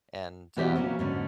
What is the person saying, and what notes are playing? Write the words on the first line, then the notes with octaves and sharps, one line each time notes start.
And, um,
B2 E3 G3 C4 F#4 G4
C#3 E3 F#3 A#3 B3 C#4
G#2 D3 C#4